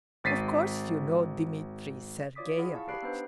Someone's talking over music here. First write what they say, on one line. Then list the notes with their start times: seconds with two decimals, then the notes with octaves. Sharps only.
Of course you know Dmitri Sergeevich?
0.24 G#1 A6 B6 C7 D#7
2.35 F4 C#5 D5 D6 D#6 B6
2.58 E4 G#4 F#5
2.74 F5 A5 C#6
2.88 G4 D5 B5 F#6 C7 D7
3.02 B3 D4 D#4 B4 C5